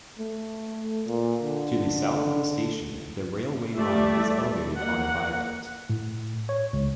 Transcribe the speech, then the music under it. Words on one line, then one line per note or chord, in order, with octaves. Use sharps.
To the south of the station, the railway line is elevated on a viaduct.
A3
A#2
D3
G3 A3 D5 E5
A#3 F#5
A2
C#5
C#2